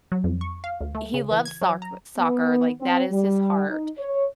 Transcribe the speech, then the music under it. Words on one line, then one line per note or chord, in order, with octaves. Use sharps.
he loves soc soccer, like, that is his heart,
F#3
F2
C#6
F5
D2
A3
C#3
E3
G#6
F#3
A#5
B3
C4
G3
D#4
C#5